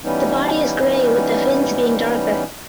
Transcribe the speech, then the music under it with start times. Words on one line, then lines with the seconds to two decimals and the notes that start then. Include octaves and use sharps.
The body is grey with the fins being darker.
0.04 E3 G3 B3 C#4 D#4